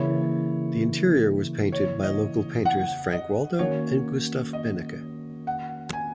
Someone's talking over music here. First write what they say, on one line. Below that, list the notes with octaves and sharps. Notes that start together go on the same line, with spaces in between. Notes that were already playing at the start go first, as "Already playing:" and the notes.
The interior was painted by local painters Frank Waldo and Gustav Behncke.
Already playing: C#3 E3 A#3 E4 C#5
C#5
D#5
F#5
D#5
D#3 A#3 C#4 F#4 C#5
D#5
F#5
G#5